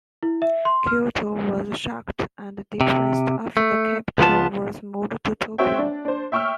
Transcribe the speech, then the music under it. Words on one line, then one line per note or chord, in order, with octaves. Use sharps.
Kyoto was shocked and depressed after the capital was moved to Tokyo.
E4
E5
C6
F6
C3
A3
C#2 D3 F3 B3 F4 A5
C4 F#4 C5 C#5 E5 G5
D4
D4 C5
E5 G5 C#6 E6 F6